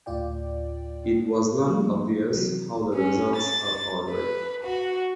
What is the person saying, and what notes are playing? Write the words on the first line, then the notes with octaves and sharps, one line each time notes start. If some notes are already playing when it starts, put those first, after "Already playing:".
It was not obvious how the results are ordered.
D2 A2 F4 D5 G5
F3 G3 A3 A#3 D4
C3 D#3 E3 F#3
C#4
A6
B4
F#4